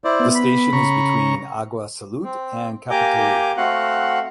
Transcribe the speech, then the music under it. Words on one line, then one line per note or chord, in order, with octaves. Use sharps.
The station is between Agua Salud and Capitolio.
E4 C5 D5
B3
B5
C#3 A#5 C#6
C4
A#3 G4 G#5 A#5 D6 G6
A3 C4 F#4 F5 F#5 F#6